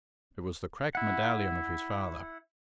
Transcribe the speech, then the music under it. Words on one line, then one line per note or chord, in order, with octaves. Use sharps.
It was the cracked medallion of his father.
E4 F#5